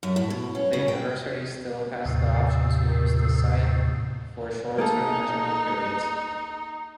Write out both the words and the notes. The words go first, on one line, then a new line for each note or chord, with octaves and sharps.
The university still has the option to use the site for short-term measurement periods.
F#2
A2
B2
C#4
C#3
G5
D#2 A2 C3
A#3 D#4 G#4 A4